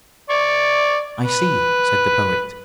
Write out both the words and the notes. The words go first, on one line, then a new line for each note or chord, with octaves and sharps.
"I see," said the Poet.
D5 C#6
B4